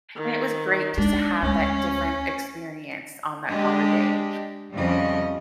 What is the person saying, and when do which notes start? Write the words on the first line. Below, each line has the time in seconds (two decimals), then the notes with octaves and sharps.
and it was great just to have that different experience, on that holiday.
0.15 D#3
0.97 G#3 D4 D#4
1.42 D2 G#3 C#4
3.49 G#3 D4 G4 D#5
4.74 F2 C#3 F3 G3 C#4 D#5